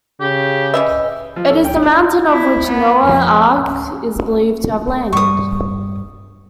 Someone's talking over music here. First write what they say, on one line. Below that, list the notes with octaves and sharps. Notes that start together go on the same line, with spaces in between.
It is the mountain on which Noah's Ark is believed to have landed.
C#3 G4
E3 C#4 B4 D#5 E5
F3
A4
G5
D4
E4
B3
F2
C#4
G2 G3 C#6 D#6